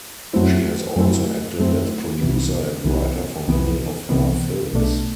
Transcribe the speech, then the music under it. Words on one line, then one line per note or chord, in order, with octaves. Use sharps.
She has also acted as producer and writer for many of her films.
F#2 F#3 A3 C4 E4
F#2 F#3 A3 C4 E4
F#2 F#3 A3 C4 E4
C2 C3 E3 B3
C2 C3 E3 B3
C2 C3 E3 B3
C2 C3 E3 B3
B1 B2 A3 D4